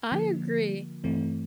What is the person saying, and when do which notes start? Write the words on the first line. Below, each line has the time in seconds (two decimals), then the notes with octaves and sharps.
I agree.
0.12 D3 F3 A#3
1.04 G2 E3 A3 C4